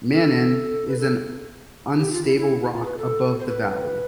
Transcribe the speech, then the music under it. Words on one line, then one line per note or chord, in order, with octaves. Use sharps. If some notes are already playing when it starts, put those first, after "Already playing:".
"Mannen" is an unstable rock above the valley.
A4
B4
A4
G4
F4
E4
E4
F4
B4
A4
C5
B4